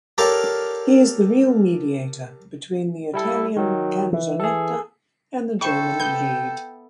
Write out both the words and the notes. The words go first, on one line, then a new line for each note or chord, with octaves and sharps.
He is the real mediator between the Italian canzonetta and the German Lied.
G4 A4 A#4 C#5 D5 F5
G3 E4 A4
D#3 F#3
E3
G#4 A4
E4 A4 C5 G5 C#6
B3 G6